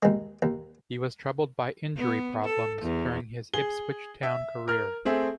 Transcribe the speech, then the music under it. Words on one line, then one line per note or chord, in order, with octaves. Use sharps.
He was troubled by injury problems during his Ipswich Town career.
D#2 G#3
D#2
B3
A4
E2
G#4 G7
E5
A#4 F6
A3 C4 G#4 E5